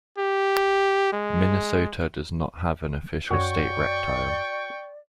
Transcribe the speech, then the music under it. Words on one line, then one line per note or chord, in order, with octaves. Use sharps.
Minnesota does not have an official state reptile.
G4
G#3
F#2 F#4 C#5 D5 G5 C#6